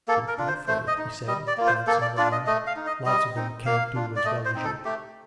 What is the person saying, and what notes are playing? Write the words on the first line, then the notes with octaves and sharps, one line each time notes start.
Don't be afraid,' he said, glancing round; 'lots of them can't do as well as you.
A#3 A4
A#4
D4 F4
C5
A3 C5
D#5
D#4
G3 D#5
D5
A#3 F4
C5
A#3 A4
D5
D4 F4 D5
D#5
A3 D#5
F5
D#4
D#5
G3 D#5
C4 D#4
A#3 F5
D4 F4
D5
A3 D#5
C5
C4 D#4
A4
A3 G4